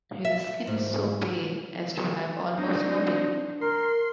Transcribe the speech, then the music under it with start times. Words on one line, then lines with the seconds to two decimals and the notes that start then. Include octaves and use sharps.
His skin is so pale as to have almost no pigment.
0.25 E5
0.67 G#2
2.58 F#3 C4 D4 D#4
3.61 A#4 C6